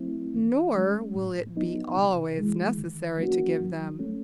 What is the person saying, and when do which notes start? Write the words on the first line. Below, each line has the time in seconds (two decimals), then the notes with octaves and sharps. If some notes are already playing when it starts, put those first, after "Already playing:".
Nor will it be always necessary to give them.
Already playing: F#3 A3 C4 E4
0.34 E3
0.75 G#3 C#4
1.15 A2
1.56 F#3 B3 D#4
1.96 C3
2.37 E3 G#3
2.78 D#3
3.18 F#3 A#3 C#4 F#4
3.59 F#3
3.99 A3 C#4